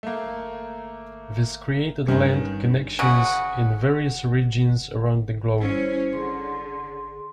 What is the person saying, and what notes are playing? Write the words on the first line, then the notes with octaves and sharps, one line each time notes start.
This created land connections in various regions around the globe.
A3 A#3
G2 D#3 C#4
C#3 F#4 F#5
G3 C#4 E4 C5 C#5
D3 G#4 C6